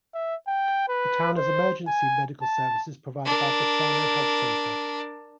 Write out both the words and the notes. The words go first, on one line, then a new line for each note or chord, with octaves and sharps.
The town has emergency medical services provided by Bassano Health Centre.
E5
G5
B4
C5
G#5
A5
D4 A#4